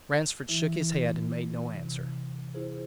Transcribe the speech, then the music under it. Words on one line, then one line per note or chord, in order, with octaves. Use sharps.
Ransford shook his head and made no answer.
E3 E4
C3
E4 F4 G#4 C5